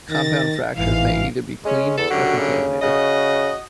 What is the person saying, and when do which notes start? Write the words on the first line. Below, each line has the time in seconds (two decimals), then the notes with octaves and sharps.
Compound fractures may either be clean or contaminated.
0.10 D#3 A6 A#6
0.76 A1 G#2 E3 F5
1.65 G#3 C#4
1.98 E2 A4
2.10 F#2 D3 F#4 G4
2.39 C#3
2.82 C#3 F#4 D#5